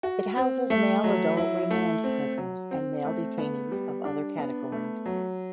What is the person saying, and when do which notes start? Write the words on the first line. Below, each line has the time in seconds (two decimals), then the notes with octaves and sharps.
It houses male adult remand prisoners and male detainees of other categories.
0.03 F#4
0.37 C4
0.70 A3
1.04 F#3
1.37 E4
1.71 A3
2.04 C4
2.38 F#3
2.71 C4
3.05 A3
3.38 B3
3.71 G3
4.05 D4
4.38 B3
4.72 A3
5.06 F#3